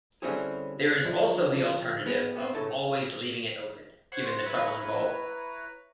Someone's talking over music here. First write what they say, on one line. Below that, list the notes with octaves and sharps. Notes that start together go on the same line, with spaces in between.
There is also the alternative of always leaving it open, given the trouble involved.
D3 G3 C4 C#4 E4 G#4
D3 F3 D4 E4
G#3 B3 B4
B3 C4
B1 A2 C#3 A3 A5
C5 C#5 F#5 C#6
E4 B4 C#5 A#5